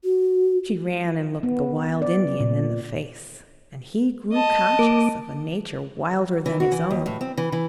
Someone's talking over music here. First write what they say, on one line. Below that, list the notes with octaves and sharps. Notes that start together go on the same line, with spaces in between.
She ran and looked the wild Indian in the face, and he grew conscious of a nature wilder than his own.
F#4
B3
D5
A#2
D#5 A5
A#3 D6
E3
F#4
E3
D#2
A2
C4
E3
E3